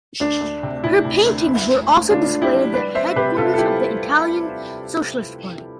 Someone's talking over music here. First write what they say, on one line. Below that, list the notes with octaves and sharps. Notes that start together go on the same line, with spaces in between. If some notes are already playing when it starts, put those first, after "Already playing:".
Her paintings were also displayed at the headquarters of the Italian Socialist Party.
D2 D4
D2
C3
C3 E4
C3
D2
E2
E1
E1
D3 D4 F4
D3
E4 G4
F3
G3 B4 D5
C4 C5 E5
C3 G4 B4
C3 F4 A4
A4
G3 E4 G4